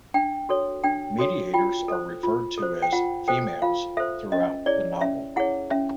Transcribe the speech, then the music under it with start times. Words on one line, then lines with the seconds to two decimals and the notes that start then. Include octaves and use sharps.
Mediators are referred to as females throughout the novel.
0.14 D4 G5
0.49 F#4 A4 C#5
0.84 D4 G5
1.19 F#4 A4 C#5
1.54 F4 G5
1.88 A4 C5
2.23 F4
2.58 A4 C5
2.82 G5
2.93 F4 F#5
3.28 A4 C5 G5
3.62 F4 F5
3.97 A4 C5 E5
4.32 C#4 D#5
4.66 E4 G#4 C#5 D5
5.01 C#4 E5
5.36 E4 G#4 C#5 F#5
5.71 C#4 E5